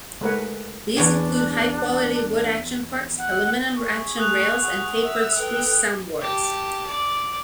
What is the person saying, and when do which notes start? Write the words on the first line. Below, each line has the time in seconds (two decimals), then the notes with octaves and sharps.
These include high quality wood action parts, aluminum action rails, and tapered spruce soundboards.
0.21 G#3 A3 A#4 B4 C#5 F#5
0.96 E2 C#4 D4 G#4
3.18 F#5
3.76 G#4 C#6
4.18 A3 D#6 F#6 F7
4.61 F#5
5.04 E5 E6
5.39 A4 B4 G5
6.21 G4 A5
6.86 D5